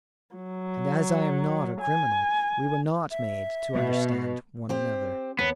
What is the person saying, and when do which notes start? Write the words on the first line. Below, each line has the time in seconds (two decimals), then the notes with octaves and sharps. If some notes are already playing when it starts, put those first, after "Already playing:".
"And as I am not a criminal we were not made to understand one another."
0.36 F#3
1.81 G#5
3.10 E5
3.74 B2
4.69 C4 G4 C5
5.39 D#2 B3